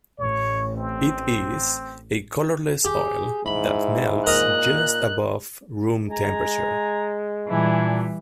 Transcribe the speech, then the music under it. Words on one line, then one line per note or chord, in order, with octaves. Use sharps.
It is a colorless oil that melts just above room temperature.
A1 C#5
C4
G4 G#4
G#2 E4 B5
A#2 A#4 D#5 F#6
G#3 G#5 A#5
A#2 E3 G3 D4 E4 G#5